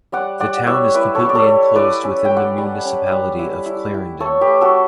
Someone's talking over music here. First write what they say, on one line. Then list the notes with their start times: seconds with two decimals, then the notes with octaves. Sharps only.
The town is completely enclosed within the municipality of Clarendon.
0.12 G3 D5 F#5
0.40 G3 D5 F#5
0.57 F#5
0.67 E4 C#5 E5
0.94 E4 B4 D5
1.15 A4 C#5
1.21 G3
1.29 D5
1.35 A4 C#5
1.48 G3
1.75 E4 B4 D5
2.03 C#4
2.25 G5
2.31 G3
2.36 D5 F#5
2.58 G3
2.84 C#4
3.12 G3
3.39 E4
3.66 E4
3.94 E4
4.20 A3 A4 C#5
4.41 G4 B4
4.47 A3
4.61 F#4 A4